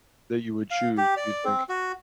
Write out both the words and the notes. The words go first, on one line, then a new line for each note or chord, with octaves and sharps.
that you would choose, do you think?
F5
G4
D5
C4
F#4